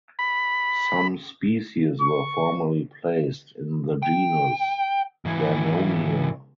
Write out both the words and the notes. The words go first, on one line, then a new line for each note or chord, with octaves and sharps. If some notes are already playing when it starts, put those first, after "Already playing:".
Some species were formerly placed in the genus "Vernonia".
B5
C#6
G5
G#2 E3